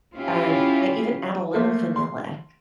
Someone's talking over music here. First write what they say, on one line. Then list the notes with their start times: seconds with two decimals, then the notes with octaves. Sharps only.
Um, I even add a little vanilla.
0.15 C#4 E4 F4 G4
1.54 A3 A#3 C5 E5
1.96 C6